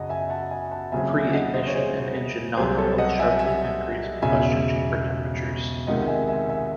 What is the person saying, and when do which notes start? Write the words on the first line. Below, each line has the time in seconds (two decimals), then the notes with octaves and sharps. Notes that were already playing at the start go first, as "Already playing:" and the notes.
Pre-ignition and engine knock both sharply increase combustion chamber temperatures.
Already playing: F#2 C#3 D#5 F#5 A5
0.09 E5 G#5
0.30 F#5 A5
0.51 E5 G#5
0.71 F#5 A5
0.92 D#2 C#3 F#3 C4 E5 G#5
1.12 E5 G#5
1.34 D#5 F#5
1.54 C5 D#5
1.67 C#5
1.74 G#4 C5
2.57 C2 C3 F#3 G#4 C5
2.78 A4 C#5
2.98 D#5 F#5
3.19 E5 G#5
3.39 E5 G#5
4.22 E1 E2 C#3 E5 G#5
5.87 C#2 C3 D#3 G#3 D#5 F#5
6.08 E5 G#5
6.29 E5 G#5
6.49 E5 G#5